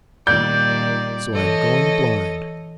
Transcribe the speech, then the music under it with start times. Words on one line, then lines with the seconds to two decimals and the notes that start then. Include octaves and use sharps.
So I am going blind.
0.27 A#2 D#3 G3 D5 G6
1.33 E3 A4 C#5 D#5